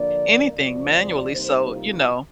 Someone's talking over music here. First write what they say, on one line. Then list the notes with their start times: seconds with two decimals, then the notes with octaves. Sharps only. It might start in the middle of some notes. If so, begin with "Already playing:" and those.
anything manually, so, you know.
Already playing: D3 F3 A#3 D4 D5
0.53 D2 C3 F3 D5
1.33 C3 G3 A#3 D#4 C5
1.72 F4